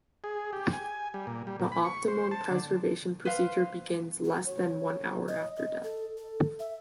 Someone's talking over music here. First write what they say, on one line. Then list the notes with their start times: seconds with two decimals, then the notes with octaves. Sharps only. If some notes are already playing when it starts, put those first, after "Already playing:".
The optimum preservation procedure begins less than one hour after death.
0.24 G#4
0.53 G4
0.73 G#5
1.14 G3
1.27 A#2
1.47 G3
1.60 A#2
1.72 B5
1.84 C#6
2.08 C5
2.31 A5
2.51 D3
3.25 B4 C5 F5
4.24 F#4
4.46 C#5
5.28 D#5
5.56 D#5
5.83 A4
6.17 A4
6.59 E5